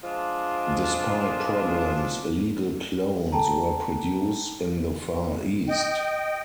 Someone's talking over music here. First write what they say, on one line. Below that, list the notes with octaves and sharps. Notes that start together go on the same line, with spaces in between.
Despite problems, illegal clones were produced in the far-east.
F3 G#3 D4 F4
A4 G5 A5 A#5
D#5 G5